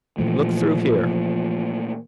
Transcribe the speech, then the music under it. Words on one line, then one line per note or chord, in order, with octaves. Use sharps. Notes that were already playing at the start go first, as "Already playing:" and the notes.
"Look through here."
A#2 E3 F3 A3